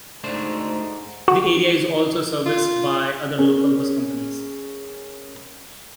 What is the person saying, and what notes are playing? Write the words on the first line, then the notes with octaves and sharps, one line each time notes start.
The area is also serviced by other local bus companies.
G#2 A3 D4 C5
F#4
F4
C#4 G#4 A#4